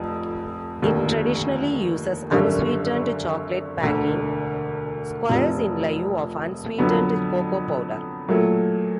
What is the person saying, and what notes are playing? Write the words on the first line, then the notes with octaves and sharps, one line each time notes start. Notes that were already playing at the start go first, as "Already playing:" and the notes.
It traditionally uses unsweetened chocolate baking squares in lieu of unsweetened cocoa powder.
Already playing: F1 F2
F1 D#2 D3
G#1 F#2 D3 G3
E1 D2 D3
F1 F2 C3
F2 D3 F#3 B3
A#2 F#3 A3